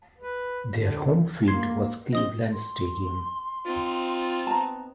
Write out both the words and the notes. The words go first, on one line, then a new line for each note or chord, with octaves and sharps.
Their home field was Cleveland Stadium.
B4
D3
A#3 C6 G#6 C7
C4 D#5 D#6 G7
C6
C4 D#4 F4
B3 A5 A#5